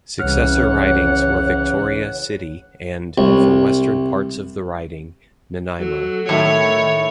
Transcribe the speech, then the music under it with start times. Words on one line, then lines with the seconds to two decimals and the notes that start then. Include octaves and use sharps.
Successor ridings were Victoria City and, for western parts of the riding, Nanaimo.
0.19 C2 C#3 E3 C#5 F#5 F6
3.18 C2
5.79 F#3 A4
6.29 A2 D#3 A3 E4 C#5